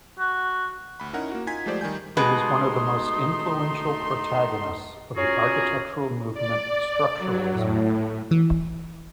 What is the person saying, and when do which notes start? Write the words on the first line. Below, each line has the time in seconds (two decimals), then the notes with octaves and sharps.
He was one of the most influential protagonists of the architectural movement Structuralism.
0.19 F#4
1.00 D2 B5
1.13 C#4 D#4 E4 A#4 F#5
1.31 A#3 F#4
1.47 D#4 F4 G#5 G#6 B6
1.66 F3 G#3 A3 G4 C5 D5
1.81 D#3 G3 G#5 G6
2.17 B2 G#3 A3 D#4 B4 C6 D#6
5.16 C#4 F4 F#4 G#4 A#4
6.34 D5
7.17 F#3
7.51 A2
8.31 E3